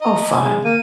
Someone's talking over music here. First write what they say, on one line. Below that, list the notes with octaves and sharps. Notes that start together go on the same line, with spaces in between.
Oh, fun.
D#5 A#5
G#5
G#3
A#3 D#7